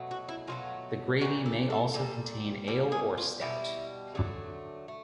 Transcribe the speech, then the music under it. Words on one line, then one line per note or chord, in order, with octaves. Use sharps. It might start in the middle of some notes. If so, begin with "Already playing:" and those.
The gravy may also contain ale or stout.
Already playing: B2 F#3 A3
F#4
E4
B2 F#3 A3 F4
A#2 G3 F#4
A4
A4
A#2 G3 A4
B2 G3 A4
G#4
F4
B2 G3 E4
D3 F#3 A3
A3